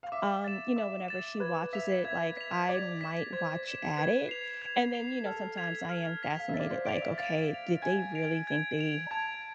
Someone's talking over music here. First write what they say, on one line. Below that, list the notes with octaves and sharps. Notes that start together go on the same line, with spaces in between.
um, you know, whenever she watches it, like, I might watch at it, and then, you know, sometimes I am fascinated, like, "Okay, did they really think they"
F5
E5 D6
A6 E7
E5 D6
A6 E7
B4 G#6
E5 B6 F7
E5 G#6
B6 F7
D5 G#6
B6 E7
C5 G#6
B6 E7
B4 G#6
C7 F7
G#6
C7 F7
A4 F6
G#6 B6 F7
F6
G#6 B6 F7
F5
E5 A6
D5
C5
D5 D7 F7
E5
F5 A6
D7 F7
G#5 G#6
D7 F7
G#6
D7 F7
A5 G#6